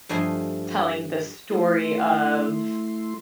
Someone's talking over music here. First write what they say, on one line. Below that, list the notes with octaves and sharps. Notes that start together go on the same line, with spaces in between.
telling the story of
G2 F3 A3 D#5 G#5 C6
A3 E4 C6